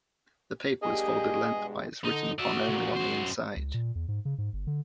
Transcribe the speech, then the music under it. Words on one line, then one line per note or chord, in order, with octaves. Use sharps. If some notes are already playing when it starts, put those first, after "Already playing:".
The paper was folded lengthwise, written upon only on the inside.
A#3 D4 G4 G#4 D#5
G2 B2 G#3
D3 D#4
F#4 D5 E5
C#2 A#2
F#2 C5
C#2
A#2
E2
G#2
C#3
G#2
G1
D3